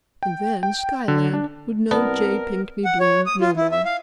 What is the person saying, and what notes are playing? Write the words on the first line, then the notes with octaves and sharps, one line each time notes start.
And then Skyland would know J. Pinkney Bloom no more.
G5
G5
D3
D4
C2 B3 A#4 D5 A5
F#5
C#5
D#6
F4
E4
E5
F5